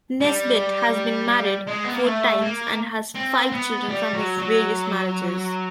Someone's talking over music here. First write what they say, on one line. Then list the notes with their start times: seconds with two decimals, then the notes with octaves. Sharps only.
Nesbitt has been married four times and has five children from his various marriages.
0.20 G3
1.68 G#3
1.84 B3
1.94 A#3
2.04 A3
2.41 A#3
3.15 C4
3.52 B3
3.89 G3
4.13 F#3
4.38 F#3